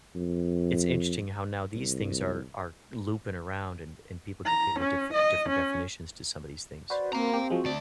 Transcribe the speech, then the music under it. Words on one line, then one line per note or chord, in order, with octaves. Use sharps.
it's interesting how now these things are are looping around, and and people giving different different definitions to some of these things.
F2
C2
A#5
C#4
D#5
C#4
F#4 B4 C5 D5
A#3 C4 F5 A#5
C4 G4
F3 G#3 F#4
D2 D5 A5